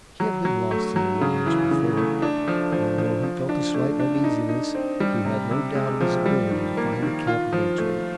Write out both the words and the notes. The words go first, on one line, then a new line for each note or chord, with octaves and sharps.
He had been lost in the wilderness before, and though he felt a slight uneasiness he had no doubt of his ability to find the camp eventually.
F#3
F#3
A3
F#3
C#3
E3
C#3
A3
D4
F3
F3
F3
F3
D4
A3
D4
D#4
D#4
C4
G3
C3
C3
G#3
F3
G3
D#3
A#3
D#3
F4
F3
A3